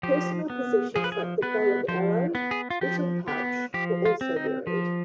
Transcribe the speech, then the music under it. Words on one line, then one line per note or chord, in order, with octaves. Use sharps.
Personal possessions like the bow and arrow, betel pouch, were also buried.
F3 G4
B3
F3 G#4
B4
G#4
B3 B4
F3 C5
B3
G#4
F4
F3 G4
B3 G4
F3 G4
F4
C4
D#4
F3